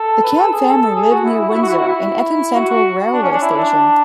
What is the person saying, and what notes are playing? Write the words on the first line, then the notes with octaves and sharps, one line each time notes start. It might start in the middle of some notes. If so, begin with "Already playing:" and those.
The Camm family lived near Windsor and Eton Central railway station.
Already playing: A4
B4
A4
G#4
A4
A4
G#4
F#4
E4
E4
F#4
E4
F#4
E4
F#4
E4
F#4
F#4
D4
C#4
D4
E4
D4